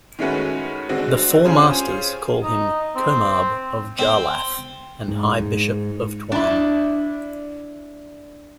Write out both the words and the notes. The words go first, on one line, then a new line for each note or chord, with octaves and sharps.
The "Four Masters" call him Comarb of Jarlath and High Bishop of Tuam.
D#3 G#3 A3 C#4 F#4 B4
D3 G#3 C4 F#4
C#4 F4 G4 G#4 C5
D#4
C4
C4
G#2
G#2
D4 E4